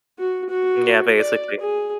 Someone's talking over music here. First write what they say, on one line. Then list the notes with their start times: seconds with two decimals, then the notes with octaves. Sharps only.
Yeah, basically,
0.19 F#4
0.49 F#4
1.17 D5
1.60 G#4